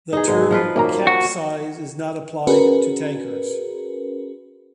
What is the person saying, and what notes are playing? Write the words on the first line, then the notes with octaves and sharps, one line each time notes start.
The term "capesize" is not applied to tankers.
E2 D#4 G#4
G#1 B2 G#3
F3 F4 B4
F#2 A#2 D#3 A#3 A#5
F#4
C#4 F#4 G#4 A#4 B4